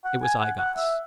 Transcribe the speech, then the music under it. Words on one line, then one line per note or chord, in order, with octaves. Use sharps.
It was I-Gos.
F#5
G#5
F#5
F#5
E5